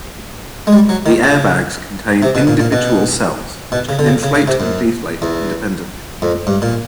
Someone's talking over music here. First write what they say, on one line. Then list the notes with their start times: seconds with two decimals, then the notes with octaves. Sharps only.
The airbags contain individual cells which can inflate and deflate independently.
0.67 G#3
0.72 G3
0.89 F#3
1.06 D#3
1.23 C#3
2.23 C3
2.35 B2
2.47 A#2
2.60 A#2
2.72 B2
3.72 B2
3.89 C#3
3.99 D3
4.06 C#3
4.23 C#3
4.35 C#3
4.48 C3
4.60 F#2
5.22 E2
6.22 F2
6.47 G2
6.62 A#2